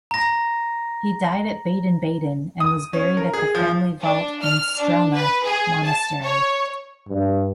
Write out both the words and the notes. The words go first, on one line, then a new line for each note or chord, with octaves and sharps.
He died at Baden-Baden and was buried at the family vault in Strelna Monastery.
A#5 A#6
D#6
C#4
A#4
G#4
F3
D4
F6
D4
B4
G#4
A5
C#5
G2